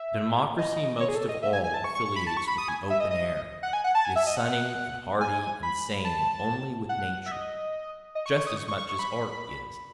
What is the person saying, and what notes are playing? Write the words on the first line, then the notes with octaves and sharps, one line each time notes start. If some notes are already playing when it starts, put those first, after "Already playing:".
Democracy most of all affiliates with the open air, is sunny and hardy and sane only with Nature--just as much as Art is.
Already playing: E5
D#5
C#5
G#4
A4
D#5
E5
G#5
G#5
A5
C#6
C#6
C#6
B5
A5
C#6
B5
D#6
G#5
E5
D#5
D#5
F#5
G#5
F#5
A5
G#5
E5
D#5
F#5
G#5
B5
A5
F#5
E5
D#5
D#5
C#6
C#6
D#6
C#6
C#6
C#6
C#6
B5